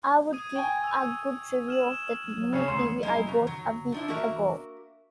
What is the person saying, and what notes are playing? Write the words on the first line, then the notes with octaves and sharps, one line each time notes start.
I would give a good review of the new TV I bought a week ago.
D#6 G#6 D#7
G5 G#5 C#6 G#6
E6 F7
F6 E7 F#7
C#3 C#4 C7 C#7 E7
D2 C6
G#3 A#3 C#4 E4
C#3 A#5
F#3
F3 D4 E4
A#3 F#4 A#4 E5